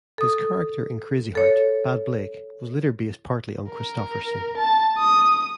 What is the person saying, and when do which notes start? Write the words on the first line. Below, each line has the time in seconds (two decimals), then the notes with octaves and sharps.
His character in "Crazy Heart", Bad Blake, was later based partly on Kristofferson.
0.18 A4 D#6
1.35 A4 C#5
3.70 A#4
4.57 A5
4.98 D#6